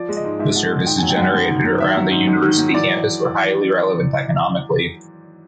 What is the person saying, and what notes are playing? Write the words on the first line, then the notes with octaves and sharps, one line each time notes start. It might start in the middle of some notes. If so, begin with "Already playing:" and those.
The services generated around the university campus were highly relevant economically.
Already playing: F3 D5
G#3
D#5
G#2
G#2 E5
F3 F#5
G#3
D#3 G5
G#5
F#3
G5
F#2 F#5
F#2
D#3
F#3
D#3 E5
F#3
G#2
G#2
D#3
F#3
E3 D5